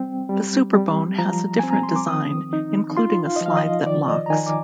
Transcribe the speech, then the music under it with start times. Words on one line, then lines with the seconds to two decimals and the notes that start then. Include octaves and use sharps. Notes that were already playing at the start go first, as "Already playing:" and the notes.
The Superbone has a different design, including a slide that locks.
Already playing: G3 C4 G5
0.29 G3
0.74 G3
1.18 F3 A#5
1.59 C4 G#5
1.71 A#5
1.83 C6
1.96 D6
2.07 D#3 D#6
2.53 D#4
2.97 F4 C6
3.27 F5
3.36 D#5
3.41 F3 F5
3.57 D#5
3.86 D#3 D5
4.08 D#5
4.26 A#5
4.30 D#3 G#5
4.47 D6